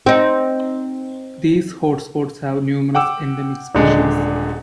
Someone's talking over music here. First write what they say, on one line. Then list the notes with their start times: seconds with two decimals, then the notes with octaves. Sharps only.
These hotspots have numerous endemic species.
0.06 C4 D#4
2.95 F#5 G5 D6 E6
3.75 D#1 D3 G#3